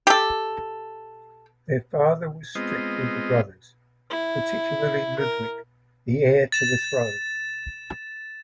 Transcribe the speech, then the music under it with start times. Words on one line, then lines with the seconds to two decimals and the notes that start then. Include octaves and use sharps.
Their father was strict with the brothers, particularly Ludwig, the heir to the throne.
0.07 G4 A4
2.55 G#3 B3 C4 F4 D#5
4.10 E4
5.19 A#4
6.52 A6 E7